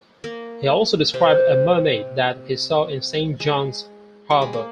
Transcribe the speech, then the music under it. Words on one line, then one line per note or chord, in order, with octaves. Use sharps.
He also described a mermaid that he saw in Saint John's harbour.
A#3 A#4
C3 C4
G#3
G3
G#3
A#3